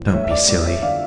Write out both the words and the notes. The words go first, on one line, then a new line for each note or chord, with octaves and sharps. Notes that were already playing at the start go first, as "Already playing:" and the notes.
Don't be silly.
Already playing: A1
A3 C#5 E5
E5
D5
G2 D5
C#5 E5
D3 D5 F5